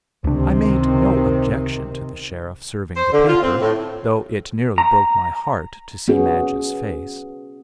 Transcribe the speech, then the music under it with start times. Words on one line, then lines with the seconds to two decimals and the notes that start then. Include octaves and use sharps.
I made no objection to the sheriff serving the paper, though it nearly broke my heart to see Madge's face.
0.24 C#2 C3 D#3 C4 D4
2.96 C5
3.13 D3
3.27 F4
3.42 C4
3.61 A2
4.78 A#5
6.08 B3 C#4 F#4 G#4